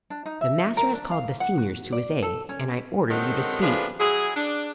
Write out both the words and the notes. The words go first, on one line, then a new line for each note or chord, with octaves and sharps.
The master has called the seniors to his aid, and I order you to speak.
D4
D#4
E5
A#4
D4
F5
F#5
F#4
D5
A4
C#4
D3 D#3 F#3 G#3 C4
A2 F3 D4 G#4 B4
F#3 E4 G#4
D4